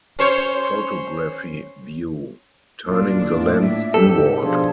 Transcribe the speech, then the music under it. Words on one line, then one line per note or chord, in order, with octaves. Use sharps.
Photography View: Turning the Lens Inward.
C#4 C5 C#5
A#2 D4 F4
A2 F4
E5
G#2 G4 A4
B2 F3 D4 F4 G#4